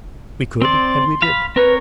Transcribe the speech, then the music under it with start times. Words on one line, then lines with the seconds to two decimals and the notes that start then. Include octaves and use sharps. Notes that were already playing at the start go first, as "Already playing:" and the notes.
We could, and we did.
0.62 C4 D5 C6
1.22 F5 B5
1.56 C4 A#4 B4 C#5